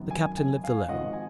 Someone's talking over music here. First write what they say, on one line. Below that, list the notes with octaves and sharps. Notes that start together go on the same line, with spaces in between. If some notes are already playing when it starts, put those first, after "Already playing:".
The Captain lived alone.
Already playing: G#1 F#2 D#3 F#3 B3
G#5
G#5
F5 G#5
G#1 G#2 F3 D#5 F#5
G#5